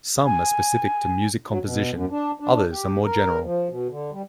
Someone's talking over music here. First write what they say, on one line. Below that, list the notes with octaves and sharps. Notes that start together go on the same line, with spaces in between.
Some are specific to music composition; others are more general.
G#5
F#3
B2
F#2
D4
D4
G4
A#4
F3
B2
D3
G3